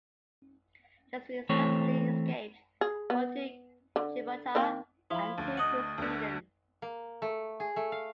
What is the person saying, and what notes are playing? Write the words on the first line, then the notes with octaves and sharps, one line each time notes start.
Just three successfully escaped, one to Gibraltar and two to Sweden.
E3 A3 C4 C#5
G#4
B3
D3
D#3 A#3 C4
F3 E4 B5
D2
D#5 F#5
D2 D3
A#3
A3
G#4
A3
F5